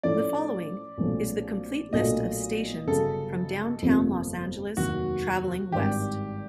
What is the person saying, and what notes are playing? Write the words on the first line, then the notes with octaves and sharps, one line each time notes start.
The following is the complete list of stations from Downtown Los Angeles traveling west.
A2 F3 A3 C#4 E4 D5
B1 A#2 F3 A3 C#4
B1 A#2 F#3 A3 D4 D#5
G1 F#2 C#3 A4
G1 F2 C3 F3 A#3
F1 D#2 D#3 F#3 F#4
G#1 G2 D#3 G4